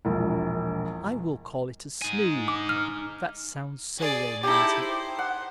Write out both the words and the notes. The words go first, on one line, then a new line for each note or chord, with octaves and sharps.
I will call it a snood--that sounds so romantic.
E1 A#1
D#4 G#5
D6
F6
G#4 D5
D#4 E4 G4 A4
C5
F#5